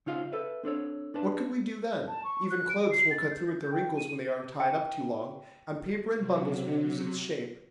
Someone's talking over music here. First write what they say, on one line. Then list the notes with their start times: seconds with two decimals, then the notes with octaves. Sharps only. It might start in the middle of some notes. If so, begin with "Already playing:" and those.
What could we do then? Even clothes will cut through at the wrinkles when they are tied up too long, and paper in bundles will lose its shape.
0.06 C#3 D#4 F4 F5
0.32 A4 B4 E5
0.63 C4 D4 A4 C#5
1.14 D4 B4 A5
2.08 A5
2.24 C#6
2.50 F#6
2.69 D7
2.90 C7
3.10 A6
3.31 G6
3.71 G5
3.97 D#7
4.60 G5
6.18 C3 F#3